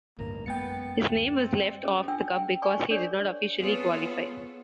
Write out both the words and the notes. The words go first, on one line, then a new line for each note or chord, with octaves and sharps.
His name was left off the cup, because he did not officially qualify.
A1 D2 G2 A#3
F#2 G#3 A#3 B3 G5 A6 C#7
D2
C4
C#4 G#4 A4
D4 F4 G5 E6
G5
D5 G#5 C#6
D4 G#4 A#4 C#5 D5
B3 C4 F4 G#4 A4 C#5